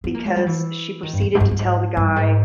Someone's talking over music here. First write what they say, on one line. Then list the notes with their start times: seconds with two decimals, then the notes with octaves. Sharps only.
because she proceeded to tell the guy,
0.04 B3
0.14 A#3
0.25 G#3
0.36 G3
0.47 E3
1.03 D#3
1.13 G2
1.21 E2
1.35 G#2
1.40 G2
1.51 G2
1.59 G#2
1.97 G2
2.16 G#2